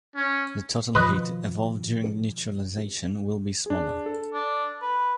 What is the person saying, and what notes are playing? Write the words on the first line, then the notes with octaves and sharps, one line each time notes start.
The total heat evolved during neutralization will be smaller.
C#4
B2 D#3 F3 B4 D#5
D4 G#4
A4
D4
B4